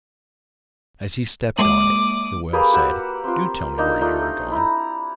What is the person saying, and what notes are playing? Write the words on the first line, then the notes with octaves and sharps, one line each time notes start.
As he stepped on it the whale said, 'Do tell me where you are going.'
G#3 A#3 D6 D#6 F#7
A#3 G4 G#4 B4
F#4 G4 F#5 E6
C4 F4
A#3 D4 D#4
A3 D4 D#4 F4
E4 A#5